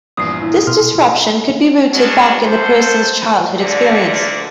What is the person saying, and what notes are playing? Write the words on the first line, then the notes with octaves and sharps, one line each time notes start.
This disruption could be rooted back in the person's childhood experience.
A#1 E2 G2 D#6 C7
E4
B2 C6 F6
B2 F#3 G#3 C#4 D4
F#2 A4 C5
D2 A#2 D3 D5